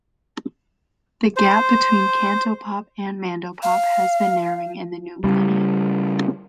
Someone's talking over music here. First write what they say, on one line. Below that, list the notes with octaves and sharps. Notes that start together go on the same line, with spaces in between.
The gap between cantopop and mandopop has been narrowing in the new millennium.
C5
F5
C#3 G3